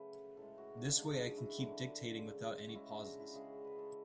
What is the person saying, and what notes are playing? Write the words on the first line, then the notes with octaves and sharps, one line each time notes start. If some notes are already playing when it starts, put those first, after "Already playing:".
This way I can keep dictating without any pauses.
Already playing: C#3 F#3 A3 A4 B4
A2 G#3 A4
F#4
D4
C#3 G#3 D4
G#4
E4 F#4
D3 F#3 A3
C#3 G#3
F#4
C#3 G#3 E4
D4
F#4
E4
C#3 G#3 G#4
B4
A4